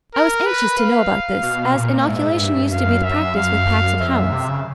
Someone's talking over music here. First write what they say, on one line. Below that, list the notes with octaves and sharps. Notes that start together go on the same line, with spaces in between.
I was anxious to know about this, as inoculation used to be the practice with packs of hounds.
A#4
B4
F5
B2
A#2
G#2 E5
G2
F#2 F5
E5
F5
F2 E5
F#2
C3
C#3